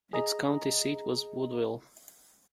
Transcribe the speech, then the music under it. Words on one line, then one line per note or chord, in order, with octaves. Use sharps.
Its county seat was Woodville.
G#4 D#5 A#5